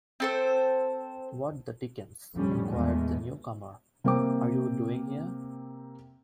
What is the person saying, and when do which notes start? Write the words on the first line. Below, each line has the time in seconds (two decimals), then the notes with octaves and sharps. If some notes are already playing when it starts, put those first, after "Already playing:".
"What the dickens," inquired the newcomer, "are you doing here?"
0.20 C4 A4 C5
2.34 F2 A2 D3 G3 C#4
2.67 E2 A#2 G#3 A3
4.04 C3 A#3 C4 G5 D6